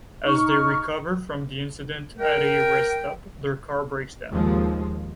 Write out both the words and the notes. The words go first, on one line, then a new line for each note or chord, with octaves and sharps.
As they recover from the incident at a rest stop, their car breaks down.
D#4 C#6 F6
A#4 G5
D#2 F3 G#3